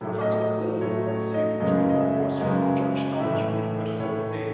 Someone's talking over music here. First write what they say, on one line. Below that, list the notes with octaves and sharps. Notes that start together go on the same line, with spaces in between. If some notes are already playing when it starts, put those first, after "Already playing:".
Professor Wolff received three awards from Georgetown University.
A2 F#3 A3
D#5
D#5
A2 F#3 A3 C#5
C#5
D#5
F#2 C#3 G#3 B3 D#5
D#5
E5
F#2 C#3 G#3 B3 D#5
A2 E3 A3 E5
A2 E3 A3 C#5